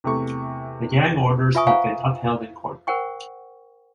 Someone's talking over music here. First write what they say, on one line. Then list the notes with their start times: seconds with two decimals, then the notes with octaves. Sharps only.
The gag orders have been upheld in court.
0.04 E2 C3 A3 C#6
1.55 F4 B4 E5 G#5 C#6 D#6
1.67 C5 F5 F#5 G#5 A#5 C#6
2.87 A#4 C5 F#5 G5 C#6